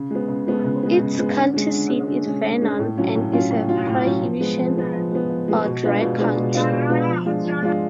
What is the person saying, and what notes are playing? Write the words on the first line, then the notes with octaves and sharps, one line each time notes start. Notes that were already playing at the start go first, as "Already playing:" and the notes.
Its county seat is Vernon and is a prohibition or dry county.
Already playing: C#3
G#3 B3
C#3
G#3 B3
C#3
G#3 B3
C#3
G#3 B3
D3
G#3 C#4
D3
G#3 C#4
D3
G#3 C#4
D3
G#3 C#4
A2
F#3 C#4 F4
A2
F#3 C#4 F4
A2
F#3 C#4 F4
A2
F#3 C#4 F4
F3
G#3 B3
F3
G#3 B3
F3
G#3 B3
F3
G#3 B3
B2
G#3 B3 D4 F4
B2
G#3 B3 D4 F4
B2
G#3 B3 D4 F4
B2
G#3 B3 D4 F4
F3
G#3 D4 F4
F3
G#3 D4 F4